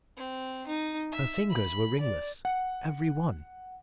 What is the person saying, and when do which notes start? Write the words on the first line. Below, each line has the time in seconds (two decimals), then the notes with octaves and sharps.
Her fingers were ringless, every one.
0.17 C4
0.67 D#4
1.12 E5
1.50 B5
2.00 D5
2.45 F#5